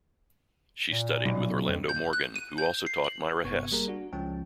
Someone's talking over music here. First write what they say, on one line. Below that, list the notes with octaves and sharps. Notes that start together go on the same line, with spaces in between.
She studied with Orlando Morgan, who also taught Myra Hess.
A#2
B1
F2
G6
F#6
D#7
G6
C7
F#7
G1 C3 B3 C#6 G#6
G3 A#3 G#4 A#4
D4 F#4
C#2 F3 G#3 C#4 G5 A5